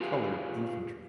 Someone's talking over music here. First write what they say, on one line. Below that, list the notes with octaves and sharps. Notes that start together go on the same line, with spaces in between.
Colored Infantry.
F4 G4 G#4 B4 F5